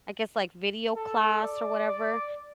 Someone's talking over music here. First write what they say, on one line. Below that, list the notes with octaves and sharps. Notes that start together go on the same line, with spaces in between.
I guess, like, video class or whatever,
A4
D5
D5